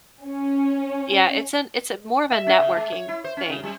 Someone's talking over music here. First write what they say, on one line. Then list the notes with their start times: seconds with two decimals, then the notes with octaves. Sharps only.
Yeah, it's an it's a more of a networking thing.
0.24 C#4
2.31 E5
2.47 C#4
2.61 C#3
2.77 G#3
2.92 C#5
3.08 E4
3.24 C5
3.37 C#4
3.50 C#3
3.63 G3